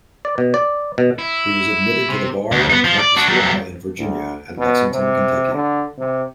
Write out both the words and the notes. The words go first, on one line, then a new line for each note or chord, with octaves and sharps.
He was admitted to the bar and practiced law in Virginia and Lexington, Kentucky.
D5
B2
D5
B2
E4
C3
D2
B3 D#4
F3
D5
D4 F#4
F#3 G3
D2
B2
C3
D3
C3